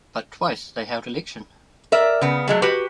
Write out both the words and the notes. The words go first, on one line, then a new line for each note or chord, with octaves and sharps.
But twice they held election.
A#4 D5 E5
C#3 B3
F#3 G#3 A3
F#4 G4 B4